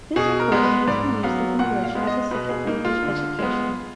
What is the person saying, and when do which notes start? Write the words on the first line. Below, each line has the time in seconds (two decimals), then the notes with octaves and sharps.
This recording has been used in English as a second language education.
0.16 B2 G#4
0.40 A#4
0.52 G#3 B3
0.63 B4
0.88 G#2 D5
1.23 F#3 B3 F5
1.59 A#2 F#5
1.84 F5
1.95 G#3 B3
2.07 D#5
2.31 B2 B4
2.49 G#4
2.67 A#3 D#4
2.85 F4
3.03 D3
3.39 G#3 B3